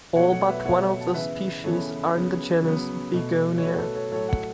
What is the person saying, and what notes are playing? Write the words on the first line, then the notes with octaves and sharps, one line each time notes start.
All but one of the species are in the genus "Begonia".
B2 F#3 A3 C#5 F#5
C#5 F#5
B4 E5
B2 F#3 A3 C#5 F#5
A5
F#5
C#3 E3 B3 B4 E5
C#3 E3 B3 A4 C#5
C#3 F#3 B3
C#3 F#3 B3
B2 A3
C#5
B2 A3 F#4 B4
A4
A4 C#5
A2 F#3 A3 A4 C#5
C#5 F#5